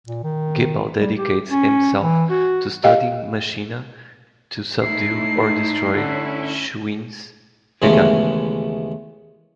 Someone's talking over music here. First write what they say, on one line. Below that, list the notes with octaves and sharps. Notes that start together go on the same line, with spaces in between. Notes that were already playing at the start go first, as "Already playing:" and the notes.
Gippal dedicates himself to studying machina to subdue or destroy Shuyin's Vegnagun.
A#2
D#3
G3
G4
C#4
E3
F#4
G4 D#5 F5 G5
A2 A3 D#4 E4 C7
D3 C#4 E4
D#2 C#3 E3 G#3 A3 B3